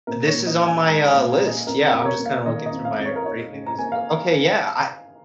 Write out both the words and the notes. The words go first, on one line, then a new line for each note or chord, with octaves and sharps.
This is on my, uh, list. Yeah, I'm just kinda looking through my rate my music li Okay, yeah, I
A#2 A#4
C#5
A#2
D#5
D#4
G#5
G#3 A#5
G#5
A#2
F5
A#2
D#5
F2 A#4
A#4
F2
A#4
C#5
A#3
F5
D#3 D#5
D#5
F2
F5
F2
C#5
A#4
D#4 C#5
C#3
A#5
A#3 G#5
F5